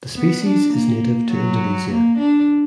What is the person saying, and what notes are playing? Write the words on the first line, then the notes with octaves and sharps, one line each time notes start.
The species is native to Indonesia.
B3
D4
A#3
F#3
A#3
D4